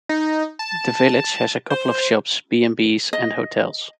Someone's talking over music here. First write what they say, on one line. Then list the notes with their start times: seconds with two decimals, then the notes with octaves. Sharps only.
The village has a couple of shops, B and Bs and hotels.
0.09 D#4
0.59 A5
1.70 C5
3.13 D#5